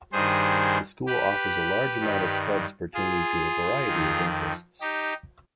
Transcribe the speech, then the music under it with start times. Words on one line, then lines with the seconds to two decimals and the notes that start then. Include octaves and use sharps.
The school offers a large amount of clubs pertaining to a variety of interests.
0.12 G2 D#3 G#4 C5
1.07 G4 B4
2.00 G2 D#3
2.94 F4 G#4
3.87 F2 D#3
4.81 D#4 G4